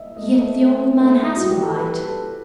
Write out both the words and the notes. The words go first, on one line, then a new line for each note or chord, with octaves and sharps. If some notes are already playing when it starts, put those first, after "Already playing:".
Yet the old man has a right.
Already playing: D#5 E5
A3 D#5
A3 C5
E4
G3 F#4
G4
A4
B4
A4